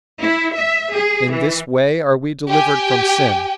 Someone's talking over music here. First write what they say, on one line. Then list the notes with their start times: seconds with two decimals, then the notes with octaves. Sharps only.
In this way are we delivered from sin.
0.23 E4
0.54 E5
0.95 G#4
1.33 E3
2.50 G4 G5 G#5